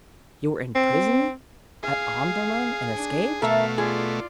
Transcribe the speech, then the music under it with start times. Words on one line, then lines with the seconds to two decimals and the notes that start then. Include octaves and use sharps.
You were in prison at Omdurman and escaped?
0.75 C4
1.83 G#4 F5
2.94 D4
3.42 B2 A3 A4 A#4 E5 F5
3.78 F4 G#4 D5